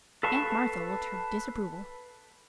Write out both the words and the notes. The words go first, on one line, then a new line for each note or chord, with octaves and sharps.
Aunt Martha looked her disapproval.
A4 B4 F5 A5 C#6